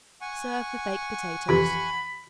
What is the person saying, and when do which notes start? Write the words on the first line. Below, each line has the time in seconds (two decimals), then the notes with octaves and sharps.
Serve with baked potatoes.
0.21 F#5 G#5 C#6
1.49 F2 C3 E3 B5